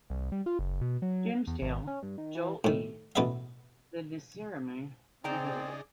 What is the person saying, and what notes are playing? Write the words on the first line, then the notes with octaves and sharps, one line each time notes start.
Dimsdale, Joel E. The Nacirema Revisited.
C2
G3
F4
F#1
B2
F#3
E2
G#1
C#4
G2
D#3
E3
A2 D#3
A1 B2 B4 D#5 E5
C#3 C4 D#4 G#4 C5 D5 G5 A#5